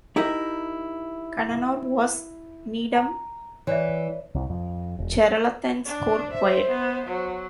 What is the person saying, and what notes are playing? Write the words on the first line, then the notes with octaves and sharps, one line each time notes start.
Kannanar was Nedum Cheralathan's court poet.
D#4 E4 G4 A#4
A#5
E3 C#5 D5 E5
C2
F2
E1
D4
C5 E5
B3
F#3